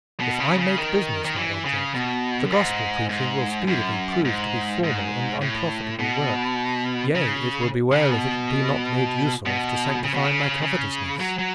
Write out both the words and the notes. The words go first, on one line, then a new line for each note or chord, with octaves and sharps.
If I make business my object, the gospel preaching will speedily prove to be formal and unprofitable work; yea, it will be well if it be not made use of to sanctify my covetousness.
B2
C#3
C#3
D#3
D#3
E3
C#3
B2
F#2
G#2
G#2
F#2
G#2
G#2
A2
B2
C#3
C#3
B2
B2
C#3
B2
C#3
C#3
F#3
F#3